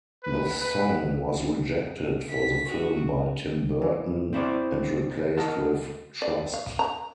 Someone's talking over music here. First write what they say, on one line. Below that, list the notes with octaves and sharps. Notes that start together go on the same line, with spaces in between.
The song was rejected for the film by Tim Burton and replaced with "Trust".
B4
B4
B6
F#4
E3
C4 E4 C5 D5
A#4 D#5 F#5 A5
D5
F5
A#5